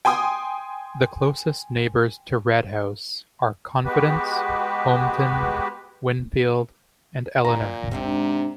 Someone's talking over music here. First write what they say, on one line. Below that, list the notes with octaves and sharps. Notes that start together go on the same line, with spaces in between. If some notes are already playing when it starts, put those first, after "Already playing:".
The closest neighbors to Red House are Confidence, Hometown, Winfield, and Eleanor.
G5 G#5 C6 D#6
G#3 B3 F#4 G4 B4
D#2 A#2 A#5
G#2 C3 C4 D4